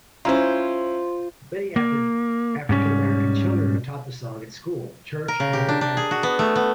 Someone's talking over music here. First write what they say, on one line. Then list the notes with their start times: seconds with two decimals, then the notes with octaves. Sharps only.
Many African-American children are taught the song at school, church or by their families.
0.25 C#4 E4 F4 C5 A#5
1.76 A#3
2.69 G#2 G3 C#4
5.28 A#4
5.40 C#3
5.53 G4
5.69 D4
5.81 D4
5.97 G#4
6.11 F#4
6.23 B3
6.39 A3
6.55 B3